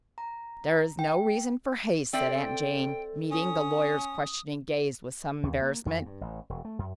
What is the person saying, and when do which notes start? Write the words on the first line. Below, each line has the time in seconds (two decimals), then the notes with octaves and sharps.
"There is no reason for haste," said Aunt Jane, meeting; the lawyer's questioning gaze with some embarrassment.
0.18 A#5
0.99 G5
2.13 C4 A4 D5 E5 G5
3.31 C#4 D#6
5.43 D#2
5.62 A#3
5.86 F2
6.06 G2
6.21 A1
6.50 E1
6.65 A3
6.79 F#2